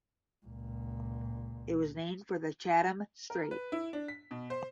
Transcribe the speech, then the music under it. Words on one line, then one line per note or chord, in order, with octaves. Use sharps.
It was named for the Chatham Strait.
C#2 A#2
A#4
B4
E4
D4
B6
B2
C5